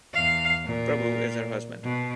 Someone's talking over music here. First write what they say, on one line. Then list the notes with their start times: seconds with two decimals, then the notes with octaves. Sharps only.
Prabhu is her husband.
0.14 E2 F5
0.66 A#2
1.84 B2